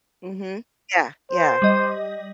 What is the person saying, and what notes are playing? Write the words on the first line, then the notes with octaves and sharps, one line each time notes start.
Mhm. Yeah, yeah.
C5
G3 D#5